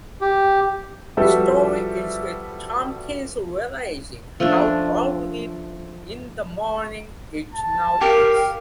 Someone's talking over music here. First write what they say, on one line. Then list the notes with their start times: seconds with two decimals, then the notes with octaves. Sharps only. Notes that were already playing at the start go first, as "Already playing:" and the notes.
The story ends with Tompkins realizing how early in the morning it now is.
0.21 G4
1.17 F3 G3 F#4 A4 B4 E5
4.40 F3 A3 C#4 D4
7.55 A5
8.01 G4 A#4 F5